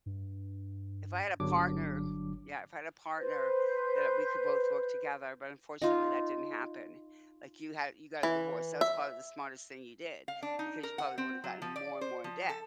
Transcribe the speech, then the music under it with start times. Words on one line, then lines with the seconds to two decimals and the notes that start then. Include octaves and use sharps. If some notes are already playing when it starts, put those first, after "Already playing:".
If I had a partner Yeah, if I had a partner, that, uh, we could both work together, but unfortunately that didn't happen. Like, you had you got a divorce, that was probably the smartest thing you did, because you probably would have gotten more and more in debt,
0.06 G2
1.40 G1 F#3 D4 D6
3.17 B4 C5 G6
5.82 D#4 F4
8.23 E3
8.81 E5
10.28 F5
10.42 D4
10.59 D#4
10.83 A#4
10.98 F#5
11.18 C4
11.44 F#3
11.62 F3
11.76 D5
12.01 C5
12.24 F3
12.49 A4